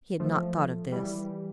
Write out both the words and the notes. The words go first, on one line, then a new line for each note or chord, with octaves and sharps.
He had not thought of this.
F3 A3
E3 G3